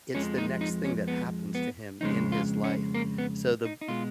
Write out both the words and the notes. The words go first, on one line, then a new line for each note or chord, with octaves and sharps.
it's the next thing that happens to him in his life. So the
F2 F3 G#3 C#4
D#4
D#4
C#4
B3
B3
F2 C#3 G#3 D#4
F4
C#4
A#3
B3
D#4
D#4
B2 G#3 F4